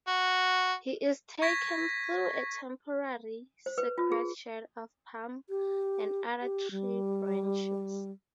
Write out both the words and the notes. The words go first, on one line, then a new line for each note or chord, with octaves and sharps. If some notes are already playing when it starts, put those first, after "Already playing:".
He is taken through a temporary sacred shed of palm and other tree branches.
F#4
C#6 G#6 A#6 B6
C5
B4
F4
G#4
G4
G4
G3